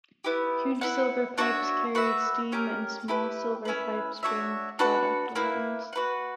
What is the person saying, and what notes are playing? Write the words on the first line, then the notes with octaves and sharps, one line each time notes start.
Huge silver pipes carry steam and small silver pipes bring product lines.
B3 E4 G4
E4 B4 F#5
D4 F#4 C#5 E5
F#4 B4 E5
C#4 G4 A#4
E4 G4 B4
C#4 E4 B4
D4 F#4 C#5 E5
D4 F#4 B4 F#5
A#3 E4 B4
F#4 B4 F#5